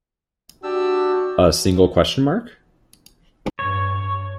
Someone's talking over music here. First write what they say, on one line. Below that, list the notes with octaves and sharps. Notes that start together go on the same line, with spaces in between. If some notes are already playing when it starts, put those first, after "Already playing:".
A single question mark ?
D4 F#4 G4 E6
G2 C#5